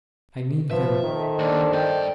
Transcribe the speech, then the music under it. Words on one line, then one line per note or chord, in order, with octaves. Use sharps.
I mean him.
F3 B3 B4 E5
D#3 A4 C5 D#5
D#2 D4
G2 D5 G5